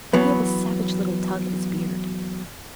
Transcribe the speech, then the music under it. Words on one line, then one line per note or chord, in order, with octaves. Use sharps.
He gave a savage little tug at his beard.
E3 F#3 B3